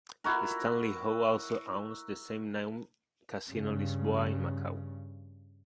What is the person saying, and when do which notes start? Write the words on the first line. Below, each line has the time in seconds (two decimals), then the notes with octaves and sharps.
Stanley Ho also owns the same-name Casino Lisboa in Macau.
0.24 E4 F#4 A#4
3.50 G2 C#3